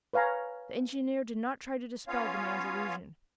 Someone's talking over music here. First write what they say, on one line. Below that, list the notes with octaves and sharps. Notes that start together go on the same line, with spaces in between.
The engineer did not try to dispel the man's illusion.
B4 C#5 F5 G#5 A#5
B3 C#4 F4 C#5 F5